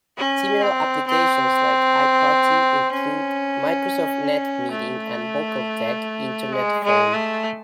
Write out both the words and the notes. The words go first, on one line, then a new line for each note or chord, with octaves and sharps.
Similar applications like iParty include Microsoft NetMeeting and VocalTec Internet Phone.
C#4
C4
C4
C#4
A3
G#3
G#3
A3